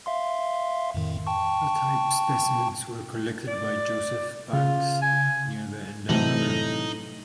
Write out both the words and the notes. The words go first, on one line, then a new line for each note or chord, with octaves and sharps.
The type specimens were collected by Joseph Banks near the Endeavour River.
E5 F5 C6
F2 A2 D#3
G5 A5 C#6
D5
C#3 F4
G#5
A2 C3 E3 F#3 A3 D#4 F#7